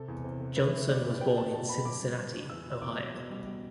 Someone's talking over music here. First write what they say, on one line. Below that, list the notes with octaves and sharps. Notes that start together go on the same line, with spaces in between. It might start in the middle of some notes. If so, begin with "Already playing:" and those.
Johnson was born in Cincinnati, Ohio.
Already playing: C3 A4
E2
C3
C3
A3 B4
A3
A3 D5
D2
B3 G5
B2 A5
B3 A5
B3 B5
F#2 D6
G3
G3
D4
E2 E6
B2
E6
B2 D6
E2
B2
G3
G3